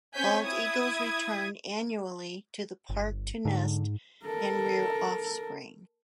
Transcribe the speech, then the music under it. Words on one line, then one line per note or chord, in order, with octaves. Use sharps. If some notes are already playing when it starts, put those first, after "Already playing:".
Bald eagles return annually to the park to nest and rear offspring.
C4 C#4 C#5 G#5 G6 B6
E4 D#6 G#6
G1
G#2 D3
A4 A#4